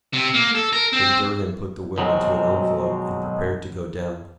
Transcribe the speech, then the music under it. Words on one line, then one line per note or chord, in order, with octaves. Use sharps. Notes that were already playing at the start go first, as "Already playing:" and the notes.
Then Durham put the will into an envelope and prepared to go down.
C3
A#3
A4
A#4
C4
B2 D#3 F#3 G#3 C4